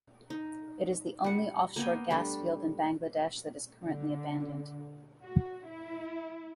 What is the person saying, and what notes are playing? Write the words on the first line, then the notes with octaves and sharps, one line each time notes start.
It is the only offshore gas field in Bangladesh that is currently abandoned.
D#4
G3 F#5
A#3 B3 G5 G#5
G3 A3 D4
D3
F#4
E4